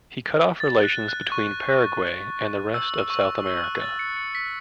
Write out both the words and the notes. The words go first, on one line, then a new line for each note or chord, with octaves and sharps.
He cut off relations between Paraguay and the rest of South America.
A6
F#6
F#6
C#6
E6
C#6
E6
F#6
A6
C#7
C#7
B6